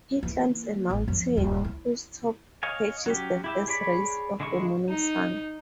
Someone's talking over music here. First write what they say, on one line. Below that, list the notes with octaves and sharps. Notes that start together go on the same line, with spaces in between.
He climbs a mountain whose top catches the first rays of the morning sun.
E3 A#3
A1 F#3
F#2 F3
D#1 G2
E4
C#5 D#5 F5 G#5
F#3 C#4 G4
E4 G4 E5
G#4 C#5 D5 B5
D3 G#3 E4 D#5 C#6
D#4